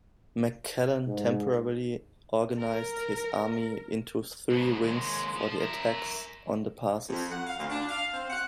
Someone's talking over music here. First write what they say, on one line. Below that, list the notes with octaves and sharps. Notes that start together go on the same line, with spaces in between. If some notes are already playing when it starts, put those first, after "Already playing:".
McClellan temporarily organized his army into three wings for the attacks on the passes.
G#2
A#4
G#2 B2
D#2 G#3
F3
A#4 E5
F2
F#5
F5
D2
D4
F5
C4
F#5